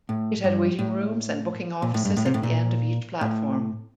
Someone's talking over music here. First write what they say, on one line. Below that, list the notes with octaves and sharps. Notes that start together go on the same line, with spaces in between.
It had waiting rooms and booking offices at the end of each platform.
A2
G2
A2
A#2
A2
G2
A2
C3
A2
A#2
A2